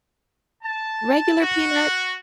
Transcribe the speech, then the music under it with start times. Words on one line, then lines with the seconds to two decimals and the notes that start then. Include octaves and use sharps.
Regular peanuts
0.62 A5
1.40 F#4